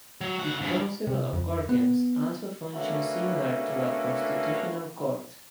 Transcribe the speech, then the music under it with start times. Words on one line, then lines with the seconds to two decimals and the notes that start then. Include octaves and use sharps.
The Council of Guardians also functions similar to a constitutional court.
0.21 F#3
0.39 C#3 F#5
0.61 G2 E3
1.07 C3
1.33 F2
1.69 B3
2.74 A3 A#3 C#4 D4 F#4 B4